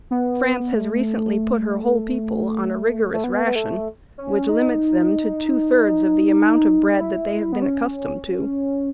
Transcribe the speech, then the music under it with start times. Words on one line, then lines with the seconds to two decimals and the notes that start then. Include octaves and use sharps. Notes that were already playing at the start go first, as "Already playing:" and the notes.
France has recently put her whole people on a rigorous ration which limits them to two-thirds of the amount of bread that they have been accustomed to.
0.11 B3
0.73 A3
3.13 A3
3.24 B3
3.46 B3
3.55 A3
4.18 C#4
4.49 D#4
7.00 E4
7.53 B3
7.62 C#4